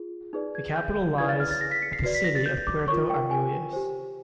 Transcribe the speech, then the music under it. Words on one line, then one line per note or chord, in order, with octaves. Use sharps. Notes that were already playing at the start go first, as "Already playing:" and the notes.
The capital lies at the city of Puerto Armuelles.
Already playing: F4 G#4
D#4 G#4 B4 D5
G#6
G6
E4 G#4 B4 D5 G#6
A6
F6
A6
A#6
B6
C#7
C7
F#4 B4 D5 C7
B6
A#6
A6
G6
D6
F4 A#4 C#5 C#6
G5
G#5
G4 C5